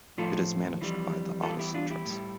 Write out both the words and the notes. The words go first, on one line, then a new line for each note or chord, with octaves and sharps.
It is managed by The Odyssey Trust.
A2 F3 F4 A4
F2 E3 G3
E2 E3 G3 F4 A4
E4 G4
D4 F4
E4 G4
A2 G3